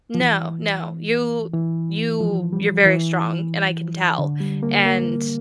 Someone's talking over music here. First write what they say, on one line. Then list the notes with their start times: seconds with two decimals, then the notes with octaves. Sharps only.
No, no, you you you're very strong, and I can tell, and
0.14 F3
0.20 E3
1.53 E3
2.21 F3
2.53 G3
2.86 E3
4.19 D3
4.41 G3
4.63 A#3
4.86 A#3